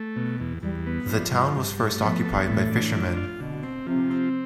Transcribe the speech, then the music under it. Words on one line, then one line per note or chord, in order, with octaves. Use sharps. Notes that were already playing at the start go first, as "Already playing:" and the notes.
The town was first occupied by fishermen.
Already playing: A3
B2
E2
E2 G3
B3
F3 G3
G2
G2
A3
F3 B3
A4
A2 E3
D4
F3
F4
B2 D3
C4
C3 F3
C4